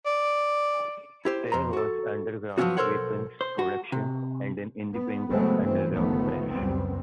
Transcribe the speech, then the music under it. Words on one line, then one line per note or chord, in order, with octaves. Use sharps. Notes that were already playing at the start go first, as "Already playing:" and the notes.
There was underground weapons production and an independent underground press.
D5
E4 G4 C5
F2 C5 A#5
F#4 A4
F3 F#3 B3 C#4 D#4 F#4
B1 A4 A#4 C5 C#5 F#5
C5
F#4
C3
B3
C#3 F#3 G#3 A3 B3 C4
G2 E3 C4
G1 C#2 D#3 F3 A3 B3
C#2 F#2 G3 B3 C4